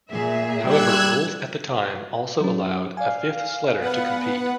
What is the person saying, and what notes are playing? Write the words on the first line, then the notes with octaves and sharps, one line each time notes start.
However, rules at the time also allowed a fifth sledder to compete.
A#2 G#4 E5
G3 E6 F#6 G#6
F#3 C#4
D5 F5 G#5
B3 B4 F#5